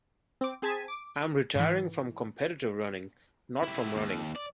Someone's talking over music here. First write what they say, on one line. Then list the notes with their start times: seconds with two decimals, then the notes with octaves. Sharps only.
I'm retiring from competitive running, not from running.
0.41 C4 D6
0.62 C4 G#4 A5 G#6 B6 D#7
0.88 D6
1.55 G#2 E3
3.63 E4 G4
3.95 D#2
4.36 D5